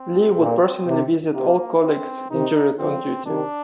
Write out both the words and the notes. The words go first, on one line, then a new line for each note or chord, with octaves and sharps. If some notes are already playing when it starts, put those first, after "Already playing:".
Lee would personally visit all colleagues injured on duty.
Already playing: C4
A#2
C3
C3 A#3
C4
C3 D#3 D#4
D3 F3 C4
C3 D#3 D4